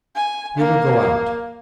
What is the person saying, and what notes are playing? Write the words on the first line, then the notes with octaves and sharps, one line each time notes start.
We will go out.
G#5
A#3